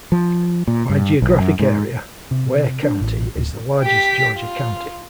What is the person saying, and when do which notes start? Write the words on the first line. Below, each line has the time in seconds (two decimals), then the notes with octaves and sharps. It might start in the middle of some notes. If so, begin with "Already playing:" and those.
By geographic area, Ware County is the largest Georgia county.
0.12 F3
0.67 A#2
0.89 G2
1.22 B1
1.40 F#2
1.59 G#2
2.31 C3
2.83 D4
3.01 A1
3.36 D1
3.82 G4 B6
4.37 F4